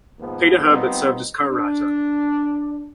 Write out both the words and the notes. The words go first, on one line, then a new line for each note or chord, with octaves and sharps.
Peter Herbert served as co-writer.
D#2 G#2 F3 A#3 B3
F3 G3 B3 C4 D#4
D4